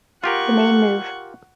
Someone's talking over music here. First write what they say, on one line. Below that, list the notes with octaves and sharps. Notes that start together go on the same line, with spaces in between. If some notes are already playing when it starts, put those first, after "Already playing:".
The main move.
F4 G4 A#4 F#5 C#6